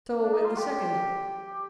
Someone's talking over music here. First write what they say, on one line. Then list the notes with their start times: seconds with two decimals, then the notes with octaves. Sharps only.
So with the second.
0.21 D4
0.34 D#4
0.45 F4
0.57 G4
1.46 G4